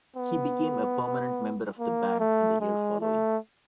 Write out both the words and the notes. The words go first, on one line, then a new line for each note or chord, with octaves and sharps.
He became a permanent member of the band in the year following.
B3
A#3
A3
G#3
A3